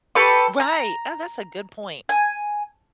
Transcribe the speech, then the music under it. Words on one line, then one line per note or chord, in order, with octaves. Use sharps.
Right, oh, that's a good point.
G4 A4 B4 C#6
A#5
G#5